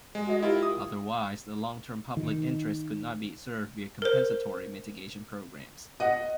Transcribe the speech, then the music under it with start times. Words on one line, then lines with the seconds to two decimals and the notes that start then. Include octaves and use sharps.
Otherwise, the long-term public interest could not be served via compensatory mitigation programs.
0.15 G#3 G#4 D#5
0.27 F#4 A4 D#5
0.43 E4 F4 G4 A#4
0.63 D#6
2.17 D#3
4.02 A#4 C5
6.00 D#5 F#5